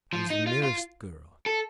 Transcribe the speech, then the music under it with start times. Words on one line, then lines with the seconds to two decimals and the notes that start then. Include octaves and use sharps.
I was the merest girl.
0.13 F3
0.30 D#4
0.47 F4
0.64 F4
1.46 A4